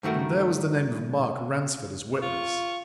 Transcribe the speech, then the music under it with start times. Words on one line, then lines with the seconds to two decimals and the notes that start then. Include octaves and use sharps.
And there was the name of Mark Ransford as witness.
0.03 G2 D#3 A3 F#4 A#4
2.22 F4 C#6